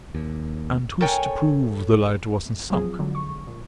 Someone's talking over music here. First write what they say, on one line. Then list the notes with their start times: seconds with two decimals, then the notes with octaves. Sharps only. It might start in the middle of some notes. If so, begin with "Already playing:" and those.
And who's to prove the lighter wasn't sunk?
0.15 D#2
1.01 A4 A#4 C#5 G5 G#5
2.70 F3 F#3 C4 F4 G#4
2.99 D3 F#3 G#3
3.15 C#6
3.47 A#2